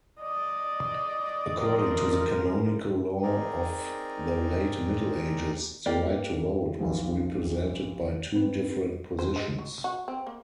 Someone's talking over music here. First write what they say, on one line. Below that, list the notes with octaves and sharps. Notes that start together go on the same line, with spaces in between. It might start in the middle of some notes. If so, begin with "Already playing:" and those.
According to the canonical law of the late middle ages, the right to vote was represented by two different positions.
D5 D#5
F3 A#4
C4 D#4 G#4 A#4 D5 A#5
A#3 G4 D5 G5
B1 F3
C4 D#4 B4
C5
G#3
F#3
F#4
C4
A#3